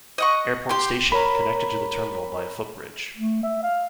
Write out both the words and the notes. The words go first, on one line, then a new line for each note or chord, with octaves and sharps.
Airport Station, connected to the terminal by a footbridge.
D#5 F#5 C#6
G4 C6
A#4 C#5 A#5 B5
A3
E5
F5